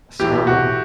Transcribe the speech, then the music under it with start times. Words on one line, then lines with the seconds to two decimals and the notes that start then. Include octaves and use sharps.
That's terrible.
0.19 B1 A2 E3 G4
0.47 F#4